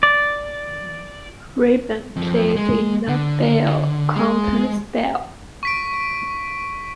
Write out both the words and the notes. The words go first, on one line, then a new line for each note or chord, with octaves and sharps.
Rabin played in a bel canto style.
D5
F2
G#3
D3
G#3
C#6 B6 D7